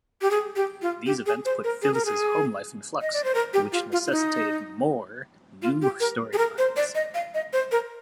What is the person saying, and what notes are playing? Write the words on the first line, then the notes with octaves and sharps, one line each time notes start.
These events put Phyllis' home life in flux, which necessitated more new story lines.
G4
G#4
G4
F4
G4
G#4
C5
A#4
G#4
A#4
G#4
D#5
D5
C5
A#4
G4
F4
F4
F4
D#4
F4
G4
A#4
G#4
A#4
C5
D5
D#5
F5
D#5
C5
A#4